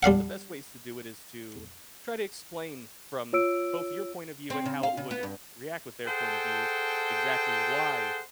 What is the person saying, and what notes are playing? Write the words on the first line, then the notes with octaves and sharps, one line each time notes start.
one of the best ways to do it is to try to explain from both your point of view, and how it would react with their point of view exactly why
G3 D4 F5 F#5
F4 C#5 E6 D7
C4
C#3
F5
C#3
B3
G2
G#4 A4 C5 F#5 G5 A5